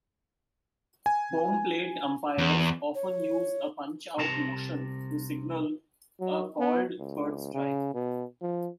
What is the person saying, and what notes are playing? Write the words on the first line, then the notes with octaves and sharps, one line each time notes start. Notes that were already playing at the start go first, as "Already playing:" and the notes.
Home plate umpires often use a "punch-out" motion to signal a called third strike.
G#5
E2
C#5
C2 C3 A5 A#5
F#3
B3
C#2
C#3
B2
F3